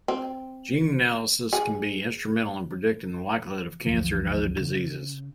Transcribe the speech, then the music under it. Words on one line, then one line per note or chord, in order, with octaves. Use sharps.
Gene analysis can be instrumental in predicting the likelihood of cancer and other diseases.
C4
G#4
G1 D2 E3 F3
C#3